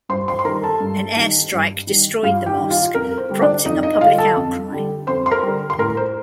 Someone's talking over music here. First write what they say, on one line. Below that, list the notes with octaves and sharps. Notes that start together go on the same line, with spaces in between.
An airstrike destroyed the mosque, prompting a public outcry.
G2 C5 C6
C5 C6
C6
D#3 G3 A#4 A#5
A4 A5
G2
D#3 G3
G2
D#3 G3
G2 F4 F5
G4 G5
D#3 G3
F4 F5
F2 A#4
C5
D3 G3
D4 D5
F2 D#4 D#5
D#4 D#5
D#5
D3 G3 F4 F5
A4 A5
F2
D3 G3
F2 C5 C6
C6
A#4 A#5
D3 G3
C6
A2 A#4 A#5
C5